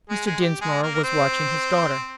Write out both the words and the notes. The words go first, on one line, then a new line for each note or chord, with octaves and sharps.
Mr. Dinsmore was watching his daughter.
G#3 G#4
G#3 G#4
G4
G#3 G#4
A#3 A#4
A#4
C4 C5